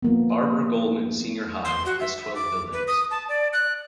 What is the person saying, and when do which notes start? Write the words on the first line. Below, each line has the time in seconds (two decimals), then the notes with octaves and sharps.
Barbara Goleman Senior High has twelve buildings.
0.03 F3 A#3 B3
1.65 C6
1.86 F#4
2.00 E5
2.35 D6
2.72 B4
2.87 D#6
3.10 A5
3.28 D5
3.53 F#6